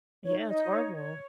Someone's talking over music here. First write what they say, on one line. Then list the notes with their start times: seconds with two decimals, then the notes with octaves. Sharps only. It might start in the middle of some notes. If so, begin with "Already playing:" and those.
Yeah, it's horrible.
0.24 D#4 C#5
0.47 D#4 D#5
0.71 C#5
0.95 C#5